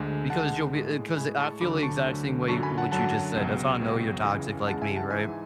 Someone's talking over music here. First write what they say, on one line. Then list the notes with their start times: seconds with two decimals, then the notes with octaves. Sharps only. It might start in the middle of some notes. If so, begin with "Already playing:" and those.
because you'll be uh, 'cause I feel the exact same way what you just said. That's how I know you're toxic like me, right?
Already playing: D2 D3 G#3
0.30 D2 D3 G#3 F#5 A5
0.74 A2 G#3
1.17 A2 G#3 G#5 B5
1.39 A5 C#6
1.61 D2 D3 F#3 B5 D6
1.83 A5 C#6
2.04 D2 D3 F#3
2.48 F#2 D3 F#3 A5 C#6
2.63 G#5 B5
2.78 F#5 A5
2.92 F#2 D3 F#3 F#5 A5
3.36 C#2 B2 F#3
3.80 C#2 B2 F#3
4.23 C#2 C#3 E3 G#3
4.67 C#2 C#3 E3 G#3 F#5 A5
4.82 E5 G#5
4.96 F#5 A5
5.10 G#2 E3 G#3 E5 G#5